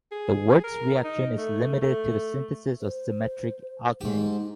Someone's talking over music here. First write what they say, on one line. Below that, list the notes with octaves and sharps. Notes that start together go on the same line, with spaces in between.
The Wurtz reaction is limited to the synthesis of symmetric alkanes.
G#4
A#4
D#4
A3
A3
C5
G#2 D#4 G4